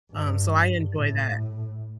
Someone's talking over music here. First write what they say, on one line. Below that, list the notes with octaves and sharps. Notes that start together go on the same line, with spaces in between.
um, so I enjoy that.
G2
A2